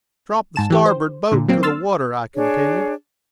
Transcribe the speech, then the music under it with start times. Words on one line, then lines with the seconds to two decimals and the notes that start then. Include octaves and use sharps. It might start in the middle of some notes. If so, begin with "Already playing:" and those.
"Drop the starboard boat into the water," I continued.
0.56 G#2 A5 E7
0.70 E3 G4
0.86 C5
1.32 A#2 D3
1.48 F#3 A#3 C4
1.63 C6 E6 F6 A6
2.35 D4 G#4 C#5